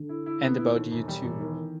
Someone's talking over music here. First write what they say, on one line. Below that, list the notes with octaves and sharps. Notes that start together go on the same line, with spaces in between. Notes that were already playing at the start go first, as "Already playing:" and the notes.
And about you too!
Already playing: D3
E4
E4
B3
E4
D#2
E1
G3
E1 E3
D#3